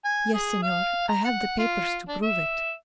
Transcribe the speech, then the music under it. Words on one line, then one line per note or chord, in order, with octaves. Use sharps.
"Yes, Senor; I have the papers to prove it."
G#5
G#4
F5
A#5
F#5
F4
D4
E5